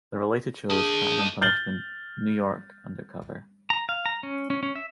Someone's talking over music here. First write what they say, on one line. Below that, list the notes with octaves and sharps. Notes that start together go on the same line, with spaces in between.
The related shows "Crime and Punishment", "New York Undercover".
A#3 D4 G#4 D#5
F6 G6 A6 F#7 G7
A#5
F5
A#5
C#4
C#4
C#4
E5